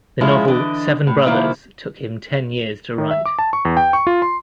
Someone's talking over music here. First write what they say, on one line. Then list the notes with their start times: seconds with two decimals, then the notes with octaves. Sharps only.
The novel "Seven Brothers" took him ten years to write.
0.21 F3 G#3 C#4 E4 G#4
0.48 D3 E3 D4 D#5
1.07 A2
1.25 C3 D#3 F3 A#3 E4
2.98 D#3
3.11 E5
3.26 D6
3.39 A5
3.53 C#6
3.65 E2
3.77 G5
3.93 C#6
4.07 F4
4.22 C6